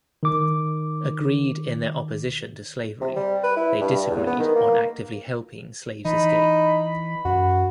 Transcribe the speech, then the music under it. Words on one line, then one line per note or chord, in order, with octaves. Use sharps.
Agreed in their opposition to slavery, they disagreed on actively helping slaves escape.
D#3 D6
C3
G3
B4
E4
G2
E2
B3
D#3
A#3
E3 D#4 B5
F#2 F#4